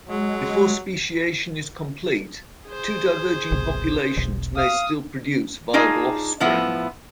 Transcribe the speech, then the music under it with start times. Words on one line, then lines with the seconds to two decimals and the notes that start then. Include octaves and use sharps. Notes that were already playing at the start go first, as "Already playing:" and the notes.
Before speciation is complete, two diverging populations may still produce viable offspring.
0.09 F#3 G#3
2.68 G#4 C5
3.52 G1 C2 B2
4.17 E1 B1
4.57 F5 D#6
5.73 D4 D#4 F4 G#4
6.40 A2 F3 B3 E4